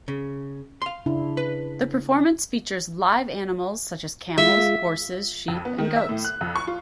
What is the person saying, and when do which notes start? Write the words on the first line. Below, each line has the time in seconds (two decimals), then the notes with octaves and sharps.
The performance features live animals, such as camels, horses, sheep, and goats.
0.08 C#3
0.82 F5 C6
1.06 C#3 D4 E4
1.37 B4
4.38 G#3 F4 E5
5.48 F2
5.65 B3
5.78 D#3
5.96 E5
6.09 A2
6.25 F#6
6.41 F2
6.56 C#6
6.67 F4